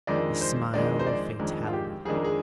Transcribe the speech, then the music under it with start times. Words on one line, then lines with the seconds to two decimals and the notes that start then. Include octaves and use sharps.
The smile of Fatality!
0.07 F2 D#3 G#3 D4 D5
0.41 C5
0.74 F2 D#3 G#3 D4 D5
0.99 C5
1.07 D5
1.39 F2 D#3 G#3 D4 A#4
1.67 F4
1.73 G4
2.05 F2 D#3 G#3 D4 G#4
2.15 A#4
2.25 G#4